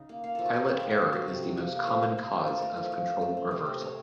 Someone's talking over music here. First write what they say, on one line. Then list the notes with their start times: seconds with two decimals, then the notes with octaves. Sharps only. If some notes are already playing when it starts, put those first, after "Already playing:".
Pilot error is the most common cause of control reversal.
Already playing: C#3 D#4
0.09 A#3
0.24 A#3 F5
0.35 F3 A4
0.46 F#4
0.54 A#3 F4
0.69 C4 A4
0.80 C4 A#4
0.91 A4
0.98 C4 F4
1.13 F#3 F#4
1.28 C3
1.43 C3
1.57 F3
1.72 A#3
1.87 F3
2.03 F3 A#4
2.18 A#3
2.32 F3
2.47 F3 A4
2.62 A3 A#4
2.77 F3
2.92 F3
3.07 A3
3.22 A3
3.37 C4
3.51 C3
3.66 C4
3.81 C3 C#5